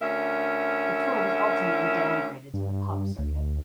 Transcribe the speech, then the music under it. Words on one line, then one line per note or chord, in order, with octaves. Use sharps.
The tour was ultimately downgraded to the pub circuit.
D2 C#4 A#4 E5
G2
D2